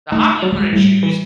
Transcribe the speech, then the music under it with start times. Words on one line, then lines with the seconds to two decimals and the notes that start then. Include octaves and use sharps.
the hobby I'm gonna choose
0.12 A3 D#4
0.42 F#3
0.52 G#3
0.73 A2 G3
1.03 E3